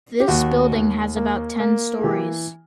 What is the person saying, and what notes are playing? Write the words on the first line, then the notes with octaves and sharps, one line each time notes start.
This building has about ten storeys.
G4
D#2 F#4
D#2
A#3
A#3
G#4
E3 G4